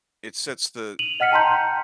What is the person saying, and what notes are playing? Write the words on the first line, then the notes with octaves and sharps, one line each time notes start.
it sets the
D#7 F7 F#7
D#5 F#5 F6 B6 C#7
G5 A5 A#5 C6 G6